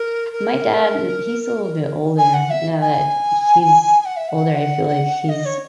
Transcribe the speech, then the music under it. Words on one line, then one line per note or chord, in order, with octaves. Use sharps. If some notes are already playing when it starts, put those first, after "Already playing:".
my dad, n he's a little bit older. Now that he's older, I feel like he's
Already playing: A#4
A#4
G#5
F#5
E5
G#5
F#5
E5
F#5
D#5
C#5